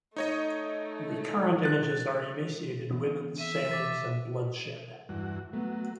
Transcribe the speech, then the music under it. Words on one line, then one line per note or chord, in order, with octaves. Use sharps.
Recurrent images are emaciated women, sailors and bloodshed.
A3 D#4 C#5 D#5
F#6 A6
E3 B3 C4
E5 D#7
E3 D6 A6 B6
E2 G2 F#4
F#3 A3 B3